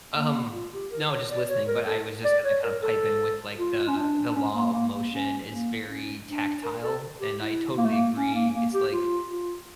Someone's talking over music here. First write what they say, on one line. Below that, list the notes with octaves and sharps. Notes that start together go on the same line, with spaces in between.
Um, no, just listening, but I was just gonna kinda pipe in with, like, the the law of motion is very tactile, and I totally agree. It's like
A#3
F4
G4
A#4
C#5
D5
C#5
A#4
A4
D5
C#5
A#4
A4
F4
C#4
D4
D4
C#4
A#3
A#3
A#3
C#4
A#3
C#4
D4
A#4
A4
G4
E4
A#3
A3
A#3
C#4
A#3
A#3
G4
F4
F4